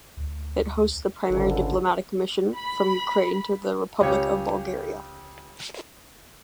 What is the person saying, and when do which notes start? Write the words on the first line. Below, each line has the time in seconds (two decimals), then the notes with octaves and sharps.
It is hosts the primary diplomatic mission from Ukraine to the Republic of Bulgaria.
0.17 D2
1.30 G#1 C#2 D3
2.57 B5
4.00 C#2 G4 C#5